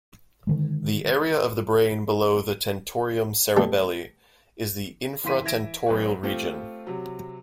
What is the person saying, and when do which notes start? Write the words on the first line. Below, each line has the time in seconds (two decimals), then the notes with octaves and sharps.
The area of the brain below the tentorium cerebelli is the infratentorial region.
0.47 D3 D#3 G#3
3.57 B2 G3 A3
5.24 F#1 E3 F5 C6 B6 D#7
5.44 E3 E5 G#6 A#6 D7 E7
5.86 B1 B4 C#5
6.23 A3 C4 F4 G4
6.87 C3 F#3